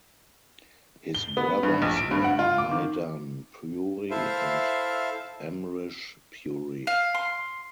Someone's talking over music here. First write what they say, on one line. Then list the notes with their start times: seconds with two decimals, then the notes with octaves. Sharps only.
His brothers were Madan Puri and Amrish Puri.
1.15 G7
1.37 B3
1.63 G2
1.82 A#1
1.97 D7
2.11 G2
2.24 F#5
2.39 F4
2.58 D6
2.71 D#3
4.10 E4 A4 C5 E5 F5
6.87 F5
7.15 C6